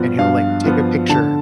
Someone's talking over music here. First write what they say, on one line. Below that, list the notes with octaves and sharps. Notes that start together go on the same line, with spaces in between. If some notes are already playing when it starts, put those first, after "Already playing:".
and he'll, like, take a picture,
Already playing: G2 F3 B3 F4
G2 F5
F3 B3 F4
D3 A5